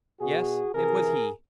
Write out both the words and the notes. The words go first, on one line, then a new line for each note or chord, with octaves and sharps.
Yes! it was he.
B2 F#4 G#4
C3 E3 G#4 A#4